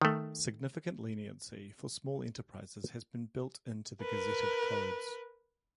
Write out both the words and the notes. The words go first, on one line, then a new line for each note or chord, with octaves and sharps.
Significant leniency for Small Enterprises has been built into the gazetted codes.
D#3 A3
A#4 B4